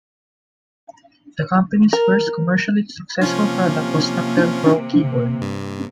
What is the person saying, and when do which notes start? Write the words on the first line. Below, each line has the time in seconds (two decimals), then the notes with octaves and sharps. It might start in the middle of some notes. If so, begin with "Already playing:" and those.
The company's first commercially successful product was Tactile Pro Keyboard.
1.93 A#4
3.22 C3 F3 A#3 C#4 F4
5.41 G2